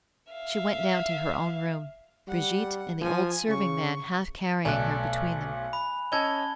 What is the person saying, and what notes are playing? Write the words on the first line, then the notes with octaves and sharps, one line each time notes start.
She went down to her own room, Brigitte and the old serving-man half carrying her between them.
E5 F5
G3 F#5
F3 G#5 D#6
C#3 C#6
B1 A3 D5 G#5 F#6
B5
C#4 D#5 A5 E6 G#6 G7